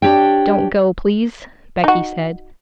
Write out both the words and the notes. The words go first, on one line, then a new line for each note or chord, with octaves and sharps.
'Don't go, please,' Becky said.
D4 G4 C#5 G5
D#4 F#4